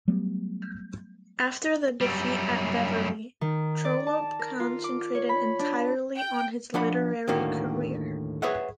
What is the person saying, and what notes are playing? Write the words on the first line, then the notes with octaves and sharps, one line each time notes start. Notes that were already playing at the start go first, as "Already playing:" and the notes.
After the defeat at Beverley, Trollope concentrated entirely on his literary career.
F#3 G3 A3 B3
F#2 G3
D#3
D5
A5
A#4
F4
D6
C#5
B5
D4
G5
F3 D4 F#5 B5
D#2 A2 D3 D#3 A#3 F#4
G#4 B4 C#5 E5 F#5